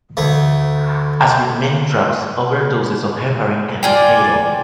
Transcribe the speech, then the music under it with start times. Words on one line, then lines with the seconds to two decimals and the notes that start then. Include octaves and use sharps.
As with many drugs, overdoses of heparin can be fatal.
0.17 D2 A3
3.83 F4 G#4 D5 G5